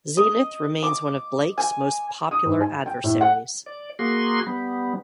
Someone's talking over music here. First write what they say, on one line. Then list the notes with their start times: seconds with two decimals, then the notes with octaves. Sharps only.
Zenith remains one of Blake's most popular adversaries.
0.17 D#5
0.83 D6
1.58 G#5
2.31 D#6
2.45 G#2
2.61 G#5
2.86 G5
3.04 A2
3.21 F#5
3.66 D5
3.99 A#3 F#4 G#4 C6
4.47 G3 B3